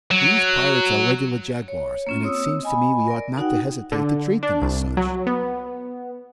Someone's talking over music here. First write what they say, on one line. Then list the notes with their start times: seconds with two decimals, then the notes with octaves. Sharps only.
These pirates are regular jaguars, and it seems to me we ought not to hesitate to treat them as such!
0.11 F#3
1.68 C#5
2.07 A#3 C#4 F4
2.22 C4 C#5 D#6 E6
2.63 D#5 G#5 B5
3.08 A#4 D5
3.37 D#4 F#4 F#5 G5
3.92 D3
4.43 D4
4.62 C2
4.97 F#3
5.27 B3